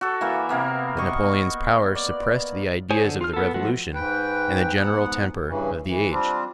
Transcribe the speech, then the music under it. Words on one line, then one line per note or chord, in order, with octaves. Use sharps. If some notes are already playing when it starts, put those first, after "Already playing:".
But Napoleon's power suppressed the ideas of the Revolution and the general temper of the age.
F#4 A4
E3 A#3 E5
C3 A#3 B3
D#5 C#6
D5
G#4 C5 C#5 G#5
D3
F4 F6
B3 A4
F3 A3 F#4
G#2 B4 G5
G#2 B3 F#5
G2 C#3 E3
E3
G3 C4 D4 F4